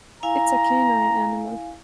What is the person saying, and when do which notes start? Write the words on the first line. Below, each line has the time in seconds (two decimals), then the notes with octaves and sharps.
It's a canine animal.
0.23 E4 F5 G#5 A#5